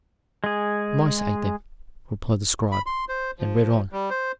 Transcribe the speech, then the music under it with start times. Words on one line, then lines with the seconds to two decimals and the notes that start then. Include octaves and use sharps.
"The mice ate them," replied the scribe, and read on.
0.44 G#3 G#4
2.72 B5
2.86 C6
3.09 C5
3.39 F3
3.92 G3
4.10 C5